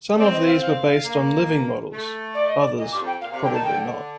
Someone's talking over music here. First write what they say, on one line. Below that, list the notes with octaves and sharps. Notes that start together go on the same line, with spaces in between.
Some of these were based on living models, others probably not.
C4 D5
D#5
F5
F5
A#3
A3
D5
D#5
D5
A#2 D#5
G2 D6
F2
G5
A#2 F5
C3 F5
D3 G5
D#3 A5
D3 G5